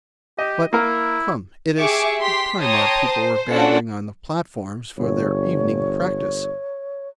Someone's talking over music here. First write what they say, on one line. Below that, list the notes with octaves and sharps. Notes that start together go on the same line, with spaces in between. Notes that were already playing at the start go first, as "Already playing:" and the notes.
But come, it is time our people were gathering on the platforms for their evening practice.
G4 D#5
A#3 E4 A#4
G4 G#4 E5 C#6 D6
G4 C6 B6
C#5 G5 A5 A#5 C6 D#6
C5
C#4 D4 F4 F#4 A4 F#5
G1 C#5